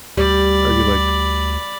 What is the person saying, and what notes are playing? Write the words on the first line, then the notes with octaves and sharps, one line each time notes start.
Are you like
D2 G3 D5 B5